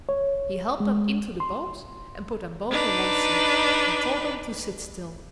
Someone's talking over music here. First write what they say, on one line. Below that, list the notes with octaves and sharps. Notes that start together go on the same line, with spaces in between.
He helped them into the boat and put them both on one seat, and told them to sit still.
C#5
G#3
C6
D4 D#4 B4